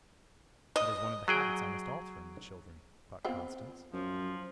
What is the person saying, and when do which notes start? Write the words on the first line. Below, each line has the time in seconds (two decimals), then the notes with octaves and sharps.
"That is one of the habits I must alter in the children," thought Constance.
0.76 D#5
1.28 F#3 G#4 G5
3.25 B3 C4 F4
3.93 F#2 F3